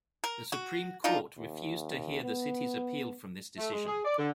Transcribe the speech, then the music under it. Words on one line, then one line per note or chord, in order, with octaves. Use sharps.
The Supreme Court refused to hear the city's appeal from this decision.
A#4
F#4
D4 D#4 F4
D#2
B3
A3
G#3
G#4
D5
D3